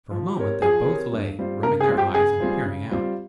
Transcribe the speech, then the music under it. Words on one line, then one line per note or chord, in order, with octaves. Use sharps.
For a moment they both lay rubbing their eyes and peering out.
F3
C4 G4 A#4 C#5
F3 G#4
C4 G4 A#4 C#5
G2
G3 C4 F4 C5
G2 A#4
G#4
G3 C4 F4 C5
G4
C#3 G#4
G3 C4 F4 C5
C#3
G3 C4 F4 C5